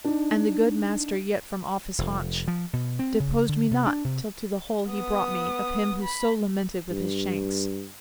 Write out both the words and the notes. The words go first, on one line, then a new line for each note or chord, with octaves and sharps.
And the good Master yet from off his haunch Deposed me not, till to the hole he brought me Of him who so lamented with his shanks.
D4 D#4
F1
F3
B2
C4
C#3
D3
C3
D4
C3
B3 D#6
B5
G2